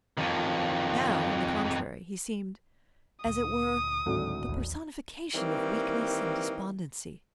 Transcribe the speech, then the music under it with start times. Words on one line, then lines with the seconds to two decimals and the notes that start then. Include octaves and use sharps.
Now, on the contrary, he seemed, as it were, the personification of weakness and despondency.
0.17 F2 D#3
3.25 D2 A#2 D#6
4.06 G#1 D2 A2 F#3
4.48 A1 D#2
5.34 D#3 E3 G3 A#3 C4